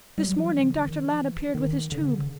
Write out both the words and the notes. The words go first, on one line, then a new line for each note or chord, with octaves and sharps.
This morning Dr. Ladd appeared with his tube.
G3
F#3
F3
E3
C#3
D3
D#3
F3
E3
D#3
D3
C#3